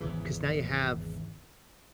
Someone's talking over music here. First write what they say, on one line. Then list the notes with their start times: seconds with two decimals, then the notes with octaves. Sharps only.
'Cause now you have
0.01 G#1 E2 C#3 E3